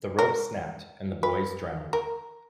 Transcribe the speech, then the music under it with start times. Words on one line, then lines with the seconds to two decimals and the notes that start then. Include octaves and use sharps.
The rope snapped, and the boys drowned.
0.19 A#4
1.23 B4
1.93 A#4